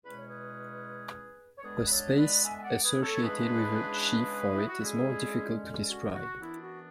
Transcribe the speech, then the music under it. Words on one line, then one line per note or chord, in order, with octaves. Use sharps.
The space associated with a sheaf, for it, is more difficult to describe.
E2 B2 G#3 C#4 B4
C#5
G#4 B4
C#5
D3 G#3 B3 D4 G#4 B4
B4
A4 C#5
B4 D5
E5 G#5
G#5
D5 F#5
G#4 B4
A4 C#5
E2 C#3 G#3 D4 G#4 B4
E4
F#4
D3 G#3 C#4 E4 G#4
A4
G#4
F#4
F#4
F#2 E3 B3 D4 E4
F#4